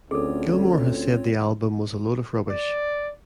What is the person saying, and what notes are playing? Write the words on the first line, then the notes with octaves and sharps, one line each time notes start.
Gilmour has said the album was a load of rubbish.
D2 C4 C#4 F4 G#4 A4 C#5
D5